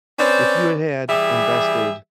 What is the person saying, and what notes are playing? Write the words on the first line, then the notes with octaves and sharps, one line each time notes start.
if you had had invested
C4 C#4 B4 C5 D5
E3 G3 G4 G#4 E5